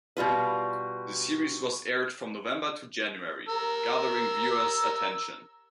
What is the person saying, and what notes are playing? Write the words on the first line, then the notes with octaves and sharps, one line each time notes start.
The series was aired from November to January, gathering viewers attention.
B2 G3 F4 B4
A#4 E6